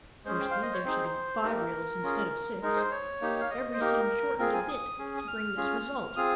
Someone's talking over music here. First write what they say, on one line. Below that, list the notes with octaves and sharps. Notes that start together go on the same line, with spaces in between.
Firstly there should be five reels instead of six, every scene shortened a bit to bring this result.
G#3 C#4 G#4 C5
G5
F5
D#5
C#5
C4 D#4 G#4 C5
A#3 D#4 G4 A#4
C#4 F4 G#4
G#3 D#4 G#4 A#4
C5
C#5
A#3 D#4 G4
F5
D#5
C5
A#3 D#4 G4 A#4
C4 F4 G#4 A#4
G#5
D#6
C#4 G#4
D#6
F6
C#4 F4 G#4
C4 F4 G#4 D#6